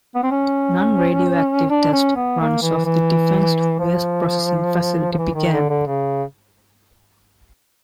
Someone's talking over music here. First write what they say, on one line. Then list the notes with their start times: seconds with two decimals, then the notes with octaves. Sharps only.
Non-radioactive test runs of the Defense Waste Processing Facility began.
0.15 B3
0.23 C4
0.31 C#4
1.70 D4
1.93 C#4
2.16 B3
2.40 A#3
2.62 E3
2.85 E3
3.79 F3
5.13 F3
5.18 E3
5.34 D#3
5.53 D3
5.69 D3
5.87 C#3